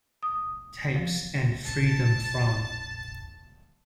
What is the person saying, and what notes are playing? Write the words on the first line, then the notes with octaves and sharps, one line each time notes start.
Tapes and Freedom From.
D#6
F3
F1 A#1 A5